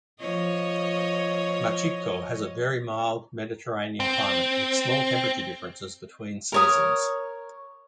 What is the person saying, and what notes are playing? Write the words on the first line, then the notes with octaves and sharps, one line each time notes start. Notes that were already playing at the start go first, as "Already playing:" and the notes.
Machico has a very mild Mediterranean climate with small temperature differences between seasons.
F3 C#5 D#5
C4
A#4 C#5 D#6